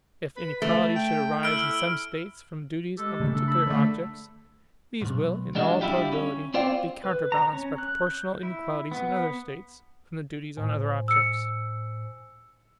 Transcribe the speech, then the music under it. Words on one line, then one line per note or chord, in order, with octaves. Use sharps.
If inequalities should arise in some States from duties on particular objects, these will, in all probability, be counterbalanced by proportional inequalities in other States, from the duties on other objects.
B4
A3
G5
E4 E6 F6 D7
G#3 G4 A4
C#3 G3 A3
D4 A4
A5 B5 E6
D3 A3
B1 G#2
F3 G3 G#3 D4 F#4
G3 D4 E4 F4 G4
C#4
C4 F4 C5 D5 F5 G5
B4
A#5
C#4
F#6
G6
E4
B3
A2 C5 G#5
E6 C#7